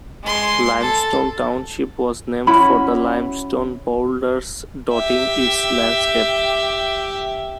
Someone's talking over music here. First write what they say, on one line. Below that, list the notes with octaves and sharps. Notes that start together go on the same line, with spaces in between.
Limestone Township was named for the limestone boulders dotting its landscape.
G#3 C6
A4
C#4 E4 F#4 B5
G4 E5